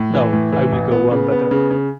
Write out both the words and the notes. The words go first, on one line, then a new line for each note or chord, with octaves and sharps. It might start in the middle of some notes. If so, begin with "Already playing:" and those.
No, I’ll go one better.
Already playing: A2
E3
A2
E3
A1
B3
C#3
B3
C#3
C#3